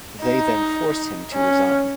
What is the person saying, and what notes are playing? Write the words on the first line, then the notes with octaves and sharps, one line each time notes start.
They then forced him to resign.
D#4
C#4